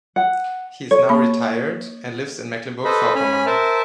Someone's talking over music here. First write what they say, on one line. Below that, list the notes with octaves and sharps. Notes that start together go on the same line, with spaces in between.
He is now retired and lives in Mecklenburg-Vorpommern.
F#5
A4 C#5
A#3 B5
A4 B4 C5 D#5 B5
C#4 G#5 B5 F6
A#4 C5 E5 A5